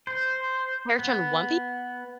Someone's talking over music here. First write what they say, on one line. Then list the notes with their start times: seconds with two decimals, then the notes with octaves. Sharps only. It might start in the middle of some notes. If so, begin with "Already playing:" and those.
character in One Pi
0.07 C5
0.99 B3